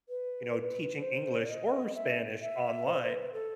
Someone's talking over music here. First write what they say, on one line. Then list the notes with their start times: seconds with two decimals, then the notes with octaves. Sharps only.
you know, teaching English or Spanish online.
0.08 B4
1.01 C5
1.48 D#5
1.94 E5
2.41 E5
2.86 C5
3.02 C5
3.09 B4
3.33 A4